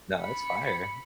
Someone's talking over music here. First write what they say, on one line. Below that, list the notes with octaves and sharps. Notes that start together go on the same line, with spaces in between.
No, that's fire.
B5 C#7